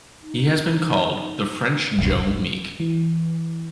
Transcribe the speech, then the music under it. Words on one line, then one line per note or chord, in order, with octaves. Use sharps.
He has been called "the French Joe Meek".
D#4
D1 G1 C2
E3